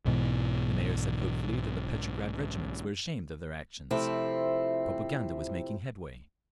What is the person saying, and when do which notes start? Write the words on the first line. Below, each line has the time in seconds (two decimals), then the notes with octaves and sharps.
The Mayor said hopefully that the Petrograd regiments were ashamed of their actions; propaganda was making headway.
0.05 B1 G#2 B2 E3
3.90 C3 F3 A3 C4 E4